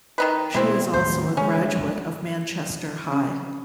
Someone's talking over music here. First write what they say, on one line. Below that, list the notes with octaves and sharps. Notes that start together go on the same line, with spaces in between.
She is also a graduate of Manchester High.
D#3 D#4 B4
B2 G3 G#3 C4 E4
D#2 A2 C5
D3 G#3 C#4
G1 D2 G#3
C#4